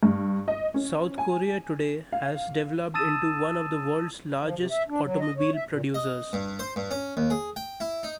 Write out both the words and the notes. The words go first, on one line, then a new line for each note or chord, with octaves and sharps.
South Korea today has developed into one of the world's largest automobile producers.
G2
D#5
C#4
G#5
F5
A5 D#6 E6 A6 D#7 E7
F3
C3
E5
D4
F#3
D#5
C#5
E5
A#2
D#5
G2
C5
G2
C#4
D#2
G#4
G5
E4
D#4